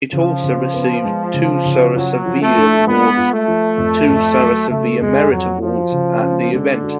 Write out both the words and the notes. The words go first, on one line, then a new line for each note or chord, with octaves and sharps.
It also received two Sarasaviya awards and two Sarasaviya merit awards at the event.
C#3 F3
C#3
B3
G#3
C#3
C#3
F#3 F4
F3
A3
D4
G#3 B3
F4
A3
F3
F2
F2
F#3
C#3 A3
F2 G#3
F2 F#3
F3 F#4
C#3
C#4
D3 G#3
F#4